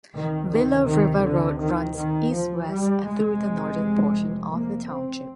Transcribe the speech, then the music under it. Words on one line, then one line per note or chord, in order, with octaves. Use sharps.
Willow River Road runs east-west through the northern portion of the township.
D2 C3 D#3
D#3
D#3
D3
D#3
D#3
F3
G3
F1 F2 C3 G#3
A#3
C4